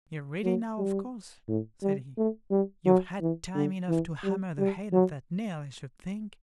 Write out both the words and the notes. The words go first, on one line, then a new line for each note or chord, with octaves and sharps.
'You're ready now, of course', said he; 'you've had time enough to hammer the head of that nail, I should think.'
F#3
G3
A2
G3
A3
G3
F#3
E3
D3
E3
G3
G3
F#3